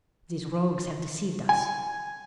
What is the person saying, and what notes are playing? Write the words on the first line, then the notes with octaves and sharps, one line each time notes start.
'These rogues have deceived us.
G#5